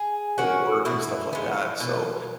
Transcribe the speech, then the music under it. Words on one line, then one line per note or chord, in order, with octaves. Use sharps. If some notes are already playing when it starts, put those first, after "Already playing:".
w work and stuff like that, so,
Already playing: G#4
A#3 C#4 F#4
B2 E4
G#3 B3
B2